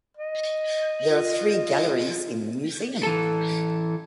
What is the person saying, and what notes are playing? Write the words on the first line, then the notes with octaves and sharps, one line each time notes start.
There are three galleries in the Museum.
D#5
F4
E3 A4